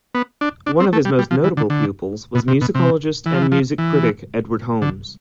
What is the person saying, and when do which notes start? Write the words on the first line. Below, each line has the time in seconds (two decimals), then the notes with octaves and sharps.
One of his most notable pupils was musicologist and music critic Edward Holmes.
0.15 B3
0.41 D4
0.66 D4
0.80 C4
0.93 A3
1.05 G3
1.19 G3
1.31 F3
1.44 E3
1.57 D3
1.70 D3
2.35 B2
2.48 C3
2.61 B2
2.75 C3
3.26 E3
3.34 F3
3.42 E3
3.52 F3
3.78 E3
4.82 D3